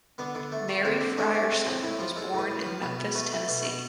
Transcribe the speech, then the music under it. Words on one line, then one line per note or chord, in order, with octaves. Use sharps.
Mary Frierson was born in Memphis, Tennessee.
D3 B3
D3
A3
A3
D3 C4
D3
A3 D4
A3
G#3 C4
A2 C4
A2 E4
F3 F4
G#3 A4
A2 B4
A2
B4
F3
B2 B4
B2
A3 B4
A3
B2
B2